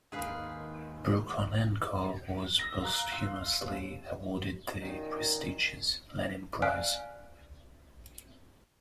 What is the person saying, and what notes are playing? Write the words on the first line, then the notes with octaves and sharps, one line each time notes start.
Brukhonenko was posthumously awarded the prestigious Lenin Prize.
D#2 G#2 D#3 G#4 B4 F5
D#6 E6 A#6
F5 A#5 F#6
F5 C6 E6
D#2
F#2 A#2 D#3
D5 F5 G#5 F6 F#6